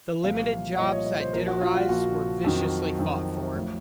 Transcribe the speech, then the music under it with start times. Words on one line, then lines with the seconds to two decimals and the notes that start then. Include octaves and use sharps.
The limited jobs that did arise were viciously fought for.
0.23 C2 A#2 F3 F5
0.73 C#5
0.78 C2 A#2 F3 D#5
0.92 C#5
1.06 D#5
1.20 C5
1.33 A#1 A#2 F3 A#4
1.48 F#4
1.61 F4
1.75 F#4
1.89 A#1 A#2 F3 F#4
2.44 F2 D#3 F#3
2.99 F2 D#3 F#3
3.55 A1 A2 F3